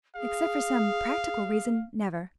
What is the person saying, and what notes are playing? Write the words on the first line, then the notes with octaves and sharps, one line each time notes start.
"Except for some practical reason--never."
G#4 F5